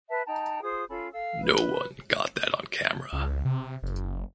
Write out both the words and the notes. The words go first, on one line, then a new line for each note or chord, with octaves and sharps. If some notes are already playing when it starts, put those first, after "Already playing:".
No one got that on camera.
B4 E5 A5
D#4 G5 A5 A#5
F4 G#4 C5 D#6
C#4 F4 A4 B5
A4 F5 E6
B4
C#2
C3
F#1